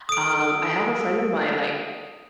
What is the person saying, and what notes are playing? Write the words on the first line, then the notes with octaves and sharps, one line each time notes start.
Um, I have a friend of mine, like,
A4 D#6 D7